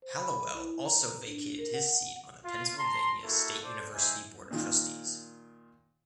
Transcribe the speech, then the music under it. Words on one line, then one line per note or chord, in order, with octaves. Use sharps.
Hallowell also vacated his seat on the Pennsylvania State University Board of Trustees.
C5
B5
E4
A#5
D4
A#4
F#5
F4
A5 A#5 C6
A#3 E4 F#4 A4
A4 C5 D5
G3 D#4 C5 E5 G#5
A#2 D#3 F4